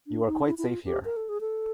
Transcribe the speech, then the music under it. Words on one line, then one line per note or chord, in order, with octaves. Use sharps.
You are quite safe here.
D4
D#4
E4
E4
F4
G4
A#4
A4
G#4
A4